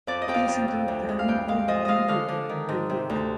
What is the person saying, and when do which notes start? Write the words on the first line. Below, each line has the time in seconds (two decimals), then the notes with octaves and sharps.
These include the hand method, mouth method and neck.
0.07 F2 D5
0.22 D#5
0.28 F2 G5
0.34 F5
0.48 F2
0.68 F2
0.88 D2
1.09 G#3
1.19 F5
1.28 G2 G5
1.48 G#3 F5
1.68 F3 D#5
1.85 G#3 D#5 F5
2.08 D3 F5
2.28 D3
2.49 D#3
2.69 G#2
2.90 C3
3.09 D2